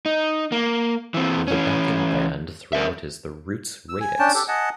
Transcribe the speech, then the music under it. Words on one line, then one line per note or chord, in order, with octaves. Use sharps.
The backing band throughout is the Roots Radics.
D#4
A#3
E3 C4
E3 C#4
A#4 E5
E6
G#5
C#4 D4 G5 A5
G4 A4
D#5 F#5 G#5 A5